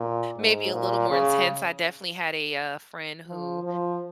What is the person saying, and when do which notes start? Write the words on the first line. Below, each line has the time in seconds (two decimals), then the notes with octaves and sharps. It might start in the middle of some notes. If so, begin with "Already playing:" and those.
maybe a little more intense, I definitely had a, uh, friend who
Already playing: A#2
0.37 G#2
0.73 A#2
1.10 C#3
3.27 F3
3.63 F3